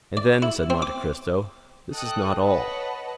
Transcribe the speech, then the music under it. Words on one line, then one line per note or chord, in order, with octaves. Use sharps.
"And then," said Monte Cristo, "this is not all."
D5
E4
C4
D6
A4 D#5 G5 D#6 F#6
B4 C#5 D#5 F#5 A5